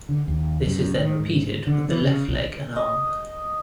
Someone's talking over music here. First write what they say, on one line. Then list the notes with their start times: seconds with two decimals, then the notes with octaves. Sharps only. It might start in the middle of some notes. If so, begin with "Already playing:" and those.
This is then repeated with the left leg and arm.
0.09 D3
0.28 D#2
0.66 F#2
0.99 D#3
1.20 G#2
1.67 D3
1.89 E3
2.02 C#3
2.28 B1
2.76 D#5